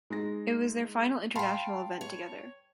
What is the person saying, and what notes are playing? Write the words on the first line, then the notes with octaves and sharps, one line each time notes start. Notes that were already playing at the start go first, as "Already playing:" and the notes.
It was their final international event together.
G#3 D#4 A#6
F5 G5 A5 B5 C6
C#5